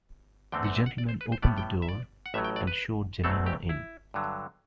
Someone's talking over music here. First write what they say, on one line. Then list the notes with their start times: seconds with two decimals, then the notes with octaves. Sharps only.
The gentleman opened the door, and showed Jemima in.
0.52 E2 D3 A3 C4 G5
0.64 F#5
0.75 E5
0.86 F#5
0.98 D5
1.09 C5
1.21 B4
1.32 C5
1.42 A2 G3 B3 D5
1.58 G5
1.82 E5
1.89 D5
2.26 F#5
2.34 A1 A2 F#3 E5
2.45 G5
2.56 D5
2.67 B4
3.24 E2 B2 F#3 A3 C4 A4
3.46 G4
3.69 E4
4.14 G2 D3 F#3